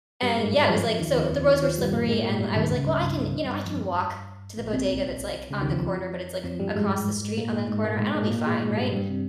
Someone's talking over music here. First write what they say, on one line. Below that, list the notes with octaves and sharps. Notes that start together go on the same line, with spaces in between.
and yeah, it was, like so the roads were slippery, and I was, like, "Well, I can, you know I can walk to the bodega, that's, like, on the corner, but it's, like, across the street on the corner, I'll be fine, right?"
G2 G3
G#2 G#3
G2 G3
F2 F3
F2 F3
D#2 D#3
F2 F3
F2 F3
D#2 D#3
F2 F3
G2 G3
A#2 A#3
G#2 G#3
A#2 A#3
G#2 G#3
G2 G3
D#2 D#3
C#2 C#3
G2
G2
G2
G2
F2
G2
A#1 A#2
C2 C3
C#2 C#3
D#2 D#3
F2 F3
F2 F3
G2 G3
G#2 G#3
A#2 A#3
G#2 G#3
G#2 G#3
A#2 A#3
G#2 G#3
G#2 G#3
A#2 A#3
G#2 G#3
G#2 G#3
G2 G3
G2 G3
C3